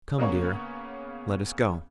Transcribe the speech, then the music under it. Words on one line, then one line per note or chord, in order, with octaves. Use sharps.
'Come, dear, let us go.'
C#3 A#3 B3 C#4 C#5